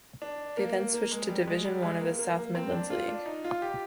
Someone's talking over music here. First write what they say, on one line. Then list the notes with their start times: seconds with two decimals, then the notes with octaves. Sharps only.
They then switched to Division One of the South Midlands League.
0.22 D4
0.57 A#3
0.94 A#3
1.12 G#3
1.29 G3
1.47 G#3
1.65 G3
1.82 G#3
2.01 A#3
2.19 A#3
2.37 A#3
2.55 C4
2.72 D4
2.90 F4
3.08 D4
3.26 D#4
3.44 F4
3.62 G4